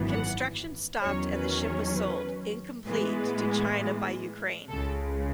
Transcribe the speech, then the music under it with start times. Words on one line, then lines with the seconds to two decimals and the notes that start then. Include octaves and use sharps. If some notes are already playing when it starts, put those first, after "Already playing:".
Construction stopped and the ship was sold, incomplete, to China by Ukraine.
Already playing: G#1 F#2 E3 B3
0.10 F#5
1.02 E2 D#3 F#3 C#4 C#5
1.33 B4
1.63 C#5
1.93 B4
2.85 A2 E3 G#3 B3 B4
4.68 C#2 C#3 G#3 A4